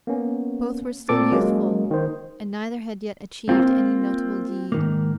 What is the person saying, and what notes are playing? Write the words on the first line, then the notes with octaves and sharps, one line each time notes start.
Both were still youthful and neither had yet achieved any notable deed.
A#3 B3 C#4
A#2 C4 A4 D6 A6
F#3 G#3 A#3 C#4
D#3 C5
A#3 C4 F4
G#2 D#3 A#3